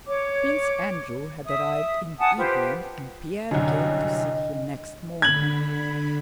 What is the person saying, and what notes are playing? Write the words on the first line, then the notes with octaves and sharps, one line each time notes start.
Prince Andrew had arrived in the evening and Pierre came to see him next morning.
C#5 D6
E5 D#6
F#5 G#5 A5 D#6
F4 G4 B4 C5
C2 F#2 D3 D#5
D3 B5 G#6 F#7